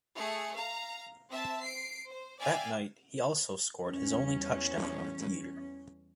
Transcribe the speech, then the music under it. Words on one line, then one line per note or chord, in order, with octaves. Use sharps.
That night he also scored his only touchdown of the year.
A3 G#4 C#7
F5 A#5
C4 E5 A5
C7 D7
C5
D5 E5 F5 G5 G#5
E2 G3 C#4